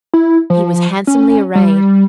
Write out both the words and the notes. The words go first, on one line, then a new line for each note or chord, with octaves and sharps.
He was handsomely arrayed.
E4
F3
C#4
G3